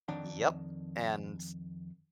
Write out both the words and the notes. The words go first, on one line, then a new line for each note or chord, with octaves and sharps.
Yep, and
F2 D#3 D4 F#5